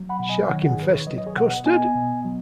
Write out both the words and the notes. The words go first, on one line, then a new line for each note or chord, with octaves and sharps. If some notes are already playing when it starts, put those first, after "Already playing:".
Shark infested custard!
Already playing: F#3
F#5 B5
B2
D#5 G#5
D#3 C#5 F#5
G#4
G#2 B4
C#5
F#3 B4 D#5
D#5
G#4 C#5
B2 F#5
B4 D#5
B3 D#5 G#5
B2
F#3